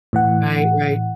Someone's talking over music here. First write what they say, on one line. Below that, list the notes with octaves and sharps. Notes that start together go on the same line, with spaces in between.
Right, right.
A2 E3 F#5